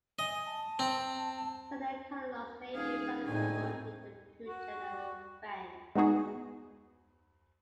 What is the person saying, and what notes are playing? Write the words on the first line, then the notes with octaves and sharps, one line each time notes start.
Senior Colonels may be further promoted to general ranks.
D#5 G#5
A5
C4
D#1 G#4 F5
D2 A2 G#3 C4 D#4 G#5
F#4
G#3 B3 D#4 F#4 G#4